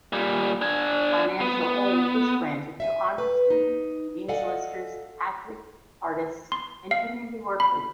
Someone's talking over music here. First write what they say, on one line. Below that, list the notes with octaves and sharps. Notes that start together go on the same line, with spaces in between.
Financial aid is granted to honor students, dean's listers, athletes, artists, and community workers.
A#2 G3
D4 G#5
B3
E5 F5 G#5
B4
D#4
A4 D5 D#5 F5 F#5 G#5
C6
F5
B5